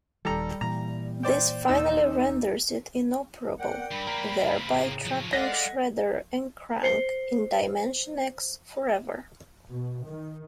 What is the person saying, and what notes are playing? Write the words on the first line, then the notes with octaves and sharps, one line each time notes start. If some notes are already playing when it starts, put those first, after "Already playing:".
This finally renders it inoperable, thereby trapping Shredder and Krang in Dimension X forever.
D#1 D#3 G3 A4 A#5
A#2 E3 A#5
C5 D5 G5
D#2 D#4 E6
A#4 D5 F#5 G5
G2 B5
A#3 C4 A#5
A2 C#3
F3 F#3
G#3 A4 D5 D#5 F5 F#5 A#6 B6
C5 C7 C#7 G7
B2
D#3